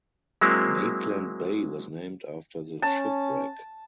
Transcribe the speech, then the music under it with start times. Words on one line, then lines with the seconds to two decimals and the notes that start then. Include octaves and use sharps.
Maitland Bay was named after the shipwreck.
0.41 F#3 G#3 A#3 C4 E4
2.82 C#4 A5